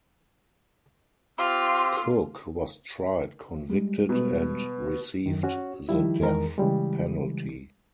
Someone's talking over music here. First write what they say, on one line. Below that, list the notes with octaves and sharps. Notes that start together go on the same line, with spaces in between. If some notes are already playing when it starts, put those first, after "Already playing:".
Cook was tried, convicted, and received the death penalty.
C4 F4 G4
G3 G#3
B2
F#2 D#3
C#4 F#4 C#5
D#3 F3 G3 E4
E2 D#3 G#3 A#4
C#3 E3 G3 G#3